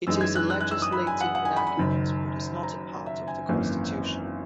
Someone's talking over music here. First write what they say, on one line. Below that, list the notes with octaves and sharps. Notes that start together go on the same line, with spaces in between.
It is a legislative enactment but is not a part of the Constitution.
F#2 E3 G#3 D#4 E6
G#6
F#6
F#6
F#6
E6
D#6
B5
G#5
F#5
F#5
G#5
B5
B5
F#1 F#2 D#3
A#5
E5
G#5
G#1 F#2 E3 A#3 C#4